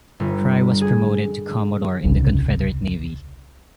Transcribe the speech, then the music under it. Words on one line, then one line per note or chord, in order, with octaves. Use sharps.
Fry was promoted to Commodore in the Confederate Navy.
G1
G#4
D#1 C2 C#3